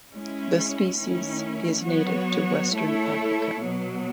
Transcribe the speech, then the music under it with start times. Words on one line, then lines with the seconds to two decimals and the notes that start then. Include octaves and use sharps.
The species is native to western Africa.
0.11 G#3 C#4 E4
1.00 D#3 A3 C#4 E4
1.86 F#3 B3 F#4 C#5
2.74 A3 E4 A4 C#5
3.62 B2 F#3 B3